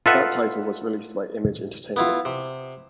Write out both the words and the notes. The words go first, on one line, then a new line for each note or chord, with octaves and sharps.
That title was released by Image Entertainment.
F4 A4 B4 D#5 E5 F#5
B3 E4 F4
C3